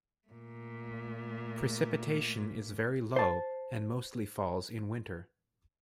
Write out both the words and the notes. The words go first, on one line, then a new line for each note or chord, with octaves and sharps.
Precipitation is very low, and mostly falls in winter.
A#2 A3
C5 A5